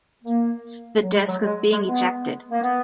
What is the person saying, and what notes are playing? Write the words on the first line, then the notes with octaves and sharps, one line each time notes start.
The disk is being ejected.
A#3
F#3
G#3
F#3
G#3
G#3
B3
A#3
B3